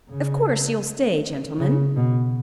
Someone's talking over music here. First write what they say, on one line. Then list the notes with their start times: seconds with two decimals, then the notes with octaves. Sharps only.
Of course you'll stay, gentlemen?
0.09 C#3
1.59 C#3
1.96 B2